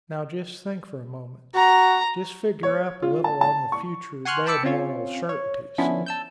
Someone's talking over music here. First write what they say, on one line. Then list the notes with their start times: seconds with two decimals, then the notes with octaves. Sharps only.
Now just think for a moment--just figure up a little on the future dead moral certainties.
1.55 F#4 A#5
2.63 C#5
3.02 F4
3.24 A5
3.41 A5
3.72 C#6
4.25 F#5 G#5 C6 C#6 F6 F#6
4.46 G5 A5 B5 D6 E6 C#7
4.63 C4 C#4 F4 C#5
5.29 C#5
5.78 D3 F3 B3 C#4 D4 E4
6.06 A5 E6 G6